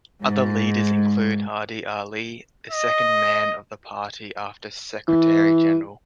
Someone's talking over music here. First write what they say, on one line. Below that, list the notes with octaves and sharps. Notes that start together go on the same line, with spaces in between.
Other leaders include Hadi Ali, the second man of the party after secretary general.
G#2
D#5
E3